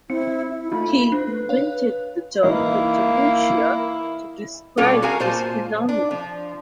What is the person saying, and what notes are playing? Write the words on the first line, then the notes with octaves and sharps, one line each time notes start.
He invented the term cryptomnesia to describe this phenomenon.
C4 E4 C#7
E4
A3 D#4 F4 B5
D4 C5
B4
C#5 F5
E3 A#3 D#4 E4
B2 G3 C#4 F4 A4
F#4 G#4 A#4 F5 G#5
A#2 F4 C5 A5
D4
F3